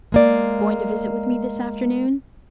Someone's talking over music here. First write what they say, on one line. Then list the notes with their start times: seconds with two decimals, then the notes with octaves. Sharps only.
Going to visit with me this afternoon?
0.12 G#3 A#3 D5